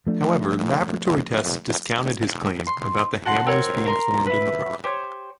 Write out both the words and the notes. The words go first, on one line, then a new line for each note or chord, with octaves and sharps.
However, laboratory tests discounted his claim about the hammer's being formed in the rock.
F3 A3 D4
C6
F#4 A4 F#5 C6
C4 F#4 A#4 C#5
A#4 A#5 C6
E4 B4
G4 C5 C#5